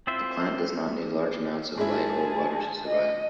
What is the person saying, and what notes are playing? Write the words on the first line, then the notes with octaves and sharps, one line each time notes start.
The plant does not need large amounts of light or water to survive.
C4 E4 F4 C5 E5
G#2 G#3 E4 G#4 A5
D#5